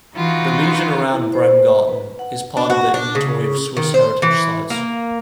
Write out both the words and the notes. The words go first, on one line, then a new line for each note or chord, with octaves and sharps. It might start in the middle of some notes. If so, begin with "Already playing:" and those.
The region around Bremgarten is part of the Inventory of Swiss Heritage Sites.
E3 D#4 F4 F#4
E4
C5
B4
F#5
D4
F#4
D4
C#3
D#3
C5
E3
A#3